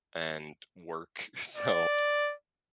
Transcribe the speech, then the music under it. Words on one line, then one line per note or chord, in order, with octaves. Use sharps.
and work, so
D5